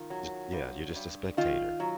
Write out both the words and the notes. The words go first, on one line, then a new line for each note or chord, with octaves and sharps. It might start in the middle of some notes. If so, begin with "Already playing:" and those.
J yeah, you're just a spectator.
Already playing: D#3 F4
F#3
G2
G2
D#3 F4
F#3